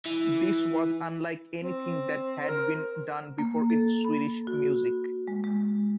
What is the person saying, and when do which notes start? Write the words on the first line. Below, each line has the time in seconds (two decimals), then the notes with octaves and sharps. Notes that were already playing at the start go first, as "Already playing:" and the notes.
This was unlike anything that had been done before in Swedish music.
0.06 E3
1.62 C4
2.48 A#4
3.38 A#3
3.70 A4
4.04 B5
4.47 F#4
5.27 G#3
5.44 G#3